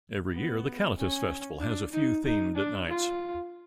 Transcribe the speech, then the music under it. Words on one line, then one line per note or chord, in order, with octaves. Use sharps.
Every year the Callatis Festival has a few themed nights.
B3
C#4
D4
D#4
D#4
D4
F4